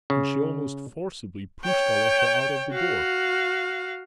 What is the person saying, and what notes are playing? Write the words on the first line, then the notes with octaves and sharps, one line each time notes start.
And she almost forcibly pushed Alyosha out of the door.
C#3
C#5 G5
F#4 F5